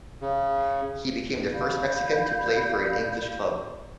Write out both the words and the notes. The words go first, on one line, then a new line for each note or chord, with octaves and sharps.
He became the first Mexican to play for an English club.
C#3
D5 F5 B5 G6